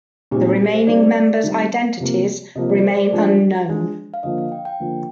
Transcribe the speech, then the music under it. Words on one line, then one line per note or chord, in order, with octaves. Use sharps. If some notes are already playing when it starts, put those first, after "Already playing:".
The remaining members' identities remain unknown.
A#2 G#3 C4 D#4 G4
G4
G#4
C5
D#3 G3 C4 D5
D#3 G3 C4
C3 F3 A#3
C3 F3 A#3 D#5
D5
C5
D5
F3 G#3 D4
F3 G#3 D4
F5
D3 F3 A#3 D#5
F5
G5
G5
D3 F3 A#3